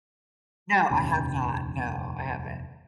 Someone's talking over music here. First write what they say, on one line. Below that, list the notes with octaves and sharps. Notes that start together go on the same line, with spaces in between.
No, I have not. No, I haven't.
F1 A#1 D#2 C#4